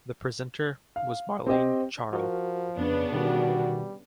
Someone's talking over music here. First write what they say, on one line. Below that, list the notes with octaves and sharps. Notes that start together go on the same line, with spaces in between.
The presenter was Marlene Charell.
F5
C4 G4 D#5 G5
F3 F#4 A#4
F2 C#3 B3 D4
B2 D#3 G3 F#4